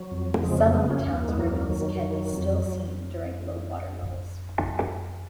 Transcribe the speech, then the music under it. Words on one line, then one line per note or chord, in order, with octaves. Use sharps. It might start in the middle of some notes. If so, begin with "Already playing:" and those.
Some of the towns ruins can be still seen during low water levels.
Already playing: F#3
F2
C#3 F3 G#3
F#3 A#3
C#3 G#3 B3
A#3 C#4
D#2 C#4
B3
A#3
G#3 B3
D#2 F#3 A#3
D#3 F#3
D#3
F2